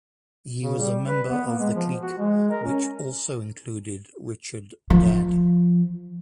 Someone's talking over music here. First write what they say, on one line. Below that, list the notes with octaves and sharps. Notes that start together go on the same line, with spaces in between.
He was a member of The Clique, which also included Richard Dadd.
C#3
G3
B4
B3
A#3
G#3
F3
F#4
G#3
A#4
C#4
F3